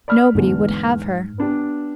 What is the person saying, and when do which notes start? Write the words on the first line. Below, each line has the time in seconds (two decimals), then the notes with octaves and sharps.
Nobody would have her.
0.08 D5 B5 F6
0.35 E2 G#2 D3
1.38 B3 D4 G4